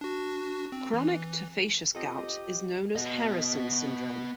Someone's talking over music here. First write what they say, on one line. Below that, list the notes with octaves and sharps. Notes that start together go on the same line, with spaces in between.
Chronic tophaceous gout is known as Harrison Syndrome.
D4 F#4
C4
E3
C4 F4 G4 A4 D#5
B3 D#5